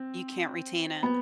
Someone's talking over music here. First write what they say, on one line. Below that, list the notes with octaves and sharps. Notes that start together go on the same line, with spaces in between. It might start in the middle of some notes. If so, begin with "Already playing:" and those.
You can't retain it.
Already playing: C4
B3